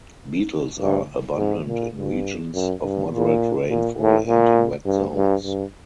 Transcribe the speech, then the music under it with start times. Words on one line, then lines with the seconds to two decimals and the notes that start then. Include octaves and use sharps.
Beetles are abundant in regions of moderate rainfall and in wet zones.
0.79 G2
1.37 G#2
1.67 A#2
1.95 G2
2.54 F#2
2.83 G2
3.11 A#2
3.69 A#2
3.99 A2
4.27 A#2
4.85 G2
5.15 G2
5.44 G2